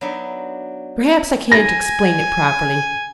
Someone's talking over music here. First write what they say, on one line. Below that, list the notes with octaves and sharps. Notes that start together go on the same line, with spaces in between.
Perhaps I can't explain it properly.
F#3 B3 D4 D#4 E5
G#5 A#6